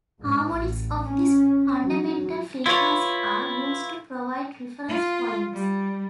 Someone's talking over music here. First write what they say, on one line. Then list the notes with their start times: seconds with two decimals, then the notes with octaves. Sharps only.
Harmonics of this fundamental frequency are used to provide reference points.
0.18 G#2
0.54 A1
1.04 C#4
1.84 F#3
2.66 E4 F4 B4 C#5
4.89 F4
5.53 G3